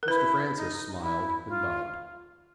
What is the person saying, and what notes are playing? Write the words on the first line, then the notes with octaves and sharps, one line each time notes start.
Mr. Francis smiled and bowed.
A#4
E4 B4
D#4
D#4
E4
F4